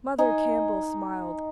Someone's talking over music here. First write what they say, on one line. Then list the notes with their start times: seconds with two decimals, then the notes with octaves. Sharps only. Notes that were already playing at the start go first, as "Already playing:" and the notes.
Mother Campbell smiled.
0.18 D#4 G#5